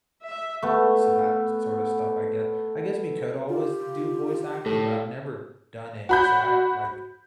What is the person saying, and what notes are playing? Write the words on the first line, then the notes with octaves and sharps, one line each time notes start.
so that sort of stuff, I guess I guess we could always do voice acting, but I've never done it, so I have, like,
E5
A3 B3
F4 G4
A2 A4
F#4 B5 G6